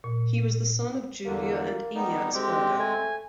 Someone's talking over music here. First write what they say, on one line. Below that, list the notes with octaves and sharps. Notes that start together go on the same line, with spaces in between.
He was the son of Julia and Ignatz Berger.
A#2
E2 D3 A#3
G3 B3 D#4
D2 G#3 C4 G4
A3 G#5